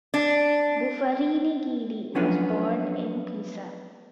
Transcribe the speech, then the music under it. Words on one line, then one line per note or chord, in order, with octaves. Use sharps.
Buffarini Guidi was born in Pisa.
D4
F3 F#3 B3 C#4 D4 F4